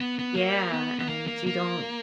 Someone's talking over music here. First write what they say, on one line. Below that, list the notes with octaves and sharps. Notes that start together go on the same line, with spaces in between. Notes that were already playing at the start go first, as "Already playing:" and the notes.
Yeah, and you don't
B3
B3
A#3
B3
B3
A#3
A#3
A#3